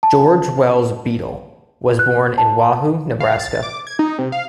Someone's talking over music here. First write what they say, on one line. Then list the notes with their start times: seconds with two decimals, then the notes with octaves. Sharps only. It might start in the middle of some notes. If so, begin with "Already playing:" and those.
George Wells Beadle was born in Wahoo, Nebraska.
0.03 A5
1.99 F#6
2.38 A5
3.20 F5
3.40 A6
3.63 D6
3.87 G#6
3.99 D#4
4.18 C3
4.32 F5